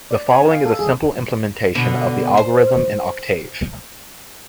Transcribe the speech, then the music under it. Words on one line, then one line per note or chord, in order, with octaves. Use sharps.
The following is a simple implementation of the algorithm in Octave.
D5
G#5
F5
A4
G#4
B2 D3
C5